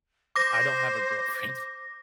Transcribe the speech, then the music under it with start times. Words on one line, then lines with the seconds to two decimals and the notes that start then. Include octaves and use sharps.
I don't have a girlfriend.
0.36 C5 D6 A#6